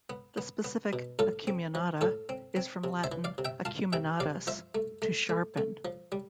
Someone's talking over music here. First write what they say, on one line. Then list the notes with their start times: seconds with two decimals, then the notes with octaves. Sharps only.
The specific "acuminata" is from Latin "acuminatus", "to sharpen".
0.10 B3
0.38 B3
0.64 B3
0.93 B2
1.19 A2 F4 A4
1.47 C4
1.75 F3
2.01 A2 F4 A4
2.29 C4
2.56 C4
2.84 C3
3.04 C5 E5
3.12 E3
3.24 D5 F5
3.38 C3
3.45 E5 G5
3.65 F4 F5 A5
3.93 C3 E5 G5
4.20 C3 D5 F5
4.47 F3 C5 E5
4.75 A3
5.02 A3
5.29 A3
5.57 A3
5.85 F3
6.12 G3